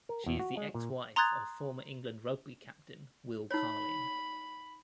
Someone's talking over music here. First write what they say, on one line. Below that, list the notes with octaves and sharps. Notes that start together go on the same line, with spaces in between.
She is the ex-wife of former England rugby captain Will Carling.
A#4
E2
F#4
G#3
A#2
A#5 C6 D#6 F#6 G#6 A6
D#4 C#5 B5